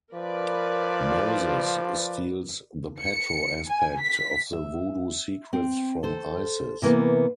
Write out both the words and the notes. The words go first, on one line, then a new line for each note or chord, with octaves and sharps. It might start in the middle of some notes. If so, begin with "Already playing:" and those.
Moses steals the Petro aspect of the Voodoo secrets from Isis.
F3 A#4 B4 D5
C#7
G#5
B6
E5
C4
A4 C5
C3 E3 A#3 B3